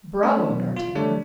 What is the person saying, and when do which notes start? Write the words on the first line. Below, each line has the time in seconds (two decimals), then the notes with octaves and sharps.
Bravo, d'Artagnan!
0.23 A3 C#4 D4
0.50 B2 F#3
0.76 F4
0.95 D3 G3 A3 D4 C#5